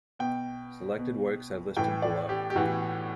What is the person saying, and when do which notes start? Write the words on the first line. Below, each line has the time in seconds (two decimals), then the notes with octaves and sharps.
Selected works are listed below.
0.19 B2 G5
0.98 B2
1.77 A2 E3 G5
2.02 D5
2.29 G4
2.50 G4
2.56 A2 E3 F#4